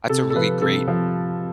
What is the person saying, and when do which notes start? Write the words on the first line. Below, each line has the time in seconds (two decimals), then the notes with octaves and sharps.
That's a really great,
0.09 C3 A4
0.30 A4
0.35 F3 B4
0.62 C3 A4
0.88 F3